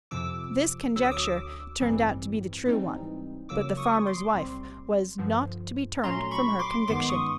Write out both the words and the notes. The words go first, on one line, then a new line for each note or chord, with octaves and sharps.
This conjecture turned out to be the true one, but the farmer's wife was not to be turned from her conviction.
F2 C3 F3 D6 E6
D2 D3 F#3 E6
D#6
D6 E6
A1 G2 E3 G3 C4
G#2 E3 G3 C4 D#4
C#2 C#3 F#3 A#3 D6 E6
C#6 D#6
C6 D6
C2 A#2 G3 C4
G2 D3 F3
A#2 F#3 A3 C#4 A#5 C6
B5 C#6
C6 D6
G1 F#2 D#3 G#3 B3 C6 D6
C#6 D#6